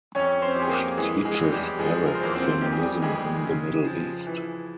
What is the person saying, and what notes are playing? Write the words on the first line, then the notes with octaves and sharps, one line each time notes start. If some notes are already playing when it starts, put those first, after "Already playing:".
She teaches Arab feminism in the Middle East.
F2 C#4 C#5
C4 C5
F2 G4
G#4
A#3 A#4
E3 G#3 G#4
G#3 G#4
E2
G3 G4
F3 G#3 G#4
A#4
C5
E2 A#3 A#4
C4 C5
F2 G4
G#4
G3 G4
F2 G#3 G#4
C#3
F3
E3